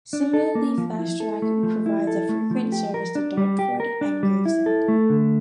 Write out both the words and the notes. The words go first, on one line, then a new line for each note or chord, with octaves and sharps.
Similarly Fastrack provides a frequent service to Dartford, and Gravesend.
D4
A4
A#3
F3
E4
A4
A3
F3
E4
A4
A3
F3
G4
A#4
D4
G3
G4
A#4
D4
G3
E4
A4
A3
D3